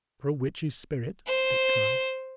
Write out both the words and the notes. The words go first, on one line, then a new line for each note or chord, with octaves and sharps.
"For a witch's spirit?" Dick cried.
C5